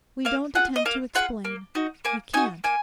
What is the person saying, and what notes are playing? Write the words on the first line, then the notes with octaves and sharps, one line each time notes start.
We don't attempt to explain; we can't.
A#3 F5
F4 G#4 F#5
D#5
A#3 F5
F4 G#4 F#5
A#3
D#4 F#4
A#3 G#5
D#4 F#4 G#5
A#3 G#5